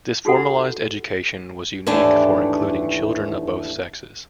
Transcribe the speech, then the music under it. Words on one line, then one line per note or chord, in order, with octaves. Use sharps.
This formalized education was unique for including children of both sexes.
D#4 F#4 G4 A4 F#5
D#2 G#2 E3 A3 D4 G4